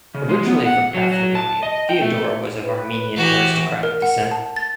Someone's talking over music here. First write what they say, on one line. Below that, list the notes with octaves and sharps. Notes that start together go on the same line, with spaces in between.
Originally from Paphlagonia, Theodora was of Armenian aristocratic descent.
C#3
G#3
B3
F#5
F#3
F#3
A5
D#5
G5
A3
B4
E3 F#4 G4
A#4
F#5
A5
A6